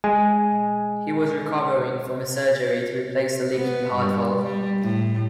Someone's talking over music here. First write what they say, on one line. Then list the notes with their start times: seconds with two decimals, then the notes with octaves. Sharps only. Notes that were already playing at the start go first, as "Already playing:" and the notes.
He was recovering from a surgery to replace a leaking heart valve.
0.04 G#3 G#5
3.54 B3
3.95 G2
4.43 G3
4.82 A2